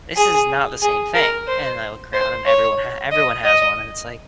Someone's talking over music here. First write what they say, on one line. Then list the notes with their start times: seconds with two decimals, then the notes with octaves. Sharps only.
this is not the same thing." And I look around and everyone ha everyone has one. And it's like
0.17 G#4
0.82 G#4
1.15 A#4
1.48 C5
2.13 C5
2.46 C#5
3.11 D#5
3.44 D#5